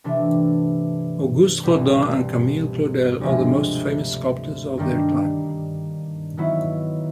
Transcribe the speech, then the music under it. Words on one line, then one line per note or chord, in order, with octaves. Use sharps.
Auguste Rodin and Camille Claudel are the most famous sculptors of their time.
C3 E3 A3 D4
C2 B2 G3
D2 C3 F3 G#3
G2 D#3 G3 A#3 D4
D#3 F#3 B3 E4